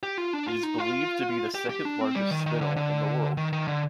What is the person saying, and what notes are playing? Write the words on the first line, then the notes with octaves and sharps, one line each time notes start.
It is believed to be the second largest spinel in the world.
G4
F4
D4
F4
D#4
F4
G4
G4
D4
C4
G3
D#3
D#3
D3
D3
D#3
D#3
D3